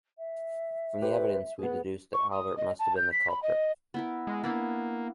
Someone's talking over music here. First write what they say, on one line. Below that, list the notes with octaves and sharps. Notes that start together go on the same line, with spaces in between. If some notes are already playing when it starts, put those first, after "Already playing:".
From the evidence we deduced that Albert must have been the culprit.
E5
G4 B4 C5
B3 G#4 B4
C#6
D#6
D#5
A5
G6
B6
B5
D#5
B3 E4 A#4
G#3
A#3 B3 D4 E4